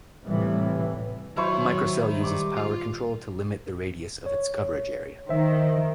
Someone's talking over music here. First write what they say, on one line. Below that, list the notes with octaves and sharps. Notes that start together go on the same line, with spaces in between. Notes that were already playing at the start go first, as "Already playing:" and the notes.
A microcell uses power control to limit the radius of its coverage area.
A2 C3 E3 G3
D#3 F#3 E4 C5 D#5 C#6
G3 D6 D#6
F4
C#5
D#3 C5 E5